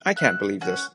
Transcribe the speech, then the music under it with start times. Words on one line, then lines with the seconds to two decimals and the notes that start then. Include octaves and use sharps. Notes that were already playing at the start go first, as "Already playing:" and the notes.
I can't believe this.
0.16 F#4 E5 F#6
0.61 C#4 F#4 F#5